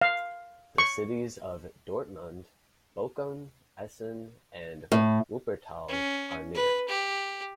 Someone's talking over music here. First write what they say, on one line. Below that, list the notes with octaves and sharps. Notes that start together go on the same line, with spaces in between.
The Cities of Dortmund, Bochum, Essen and Wuppertal are near.
F5
C#6
A2
C#4
B4
G4